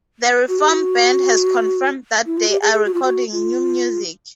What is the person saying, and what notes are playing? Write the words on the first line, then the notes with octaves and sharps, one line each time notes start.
The reformed band has confirmed that they are recording new music.
F#4
G4
F#4
E4
F4
G4
G#4
G#4
F#4
F4
F#4
F4